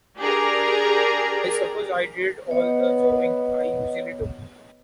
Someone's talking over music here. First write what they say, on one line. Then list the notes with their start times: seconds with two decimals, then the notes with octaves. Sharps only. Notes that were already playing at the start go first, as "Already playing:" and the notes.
I suppose I did all the jawing — I usually do.
0.19 D4 G4 G#4 A#4 A#5
2.50 B3 C#5 D#5